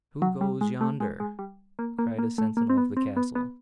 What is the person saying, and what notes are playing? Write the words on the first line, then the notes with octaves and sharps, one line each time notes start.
'Who goes yonder?' cried a sentinel of the castle.
F#3
G3
G#3
A3
G#3
G#3
G3
A#3
A#3
A#3
A3
A#3
C4
B3
C4
B3
B3